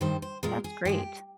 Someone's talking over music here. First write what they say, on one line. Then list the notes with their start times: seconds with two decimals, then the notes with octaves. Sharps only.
That's great.
0.01 G2 D#3 G3 C5
0.22 C5
0.43 A#2 G#3 A#4
0.64 G#4
0.85 G2 F3 G#3 G4